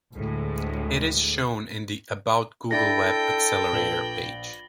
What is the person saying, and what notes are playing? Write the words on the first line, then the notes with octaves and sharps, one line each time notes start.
It is shown in the "About Google Web Accelerator" page.
D2 A2 G#3
D4 E4 A4 D5 G5 B5 A6 A#6
A#1 B4 A#6 E7 F#7 G7